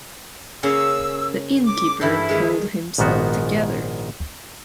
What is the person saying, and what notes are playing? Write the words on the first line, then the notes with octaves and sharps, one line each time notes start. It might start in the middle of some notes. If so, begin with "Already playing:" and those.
The innkeeper pulled himself together.
C#3 A#3 C#4 E6
D6
G2 E3 E4 A4
D#3 G#3
A#1 G#2 D#3 B3 F#4